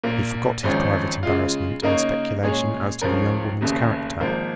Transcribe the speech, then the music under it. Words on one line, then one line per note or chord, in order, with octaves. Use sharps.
He forgot his private embarrassment in speculation as to the young woman's character.
A#1 A#2 A#3
G#1 G#2 F3 C#4
C#3 G#3 F4
C#3 A#3 D#4 A#4 C#5
A#2 G#3 C#4 G#4 C#5
C#2 C#3 F3 C#4 A#4
F1 D#2 C#3
G#1 G#2 F3 A#3